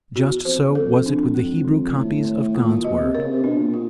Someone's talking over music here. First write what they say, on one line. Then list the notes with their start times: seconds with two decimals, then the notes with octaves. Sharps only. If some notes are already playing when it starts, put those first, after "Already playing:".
Just so was it with the Hebrew copies of God's Word.
0.16 E2 F#4
0.45 F2 C5
0.60 E2
0.75 F2 A4
1.06 D4
1.35 G#3
1.65 D#3
1.95 A2 B3
2.25 D#3
2.55 A#2 F4
2.70 A#2
2.84 B2 D#5
2.99 C3
3.14 C#3 A#4
3.29 C3
3.44 B2 D4
3.59 A#2
3.74 F4